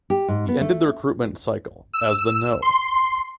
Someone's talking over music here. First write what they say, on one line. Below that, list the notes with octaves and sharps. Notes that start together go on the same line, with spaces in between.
He ended the recruitment cycle as the no.
G4
G#2
B3
A3
E6
C6